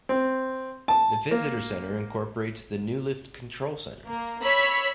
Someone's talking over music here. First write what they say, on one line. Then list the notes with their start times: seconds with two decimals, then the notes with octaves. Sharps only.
The visitor centre incorporates the new lift control centre.
0.09 C4
0.88 A5
1.31 A#3
4.07 A#3
4.42 C#5 B5 E6 B6